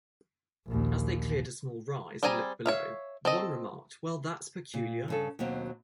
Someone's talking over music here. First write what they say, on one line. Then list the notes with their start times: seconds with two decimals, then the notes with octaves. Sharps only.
As they cleared a small rise and looked below, one remarked Well that's peculiar!
0.67 A#1 D#2
2.23 G3 C4 G#4 G#5 A#5
2.66 C#5 E5 F5
3.25 C4 A4 D#5
4.74 A#2
5.08 G2 C#3 A4
5.39 D#2 B2 F#3 C4